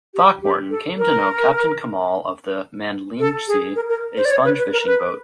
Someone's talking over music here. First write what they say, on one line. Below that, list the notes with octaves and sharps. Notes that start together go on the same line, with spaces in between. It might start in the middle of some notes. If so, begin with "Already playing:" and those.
Throckmorton came to know Captain Kemal of the "Mandlinci", a sponge fishing boat.
G4
G4
A4
A#4
A4
G#4
A#4
A#4
C5
D5
C#5
B4
B4
A#4
B4